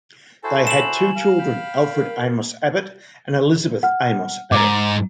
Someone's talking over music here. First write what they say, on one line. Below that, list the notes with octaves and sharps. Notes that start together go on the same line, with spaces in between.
They had two children Alfred Amos Abbott, and Elizabeth Amos Abbott.
E4 F#4 A4 C5 G#5
E7 F#7
A#4 F5
G5 B5
A#4
F#5 F6
G#2 A#5 D6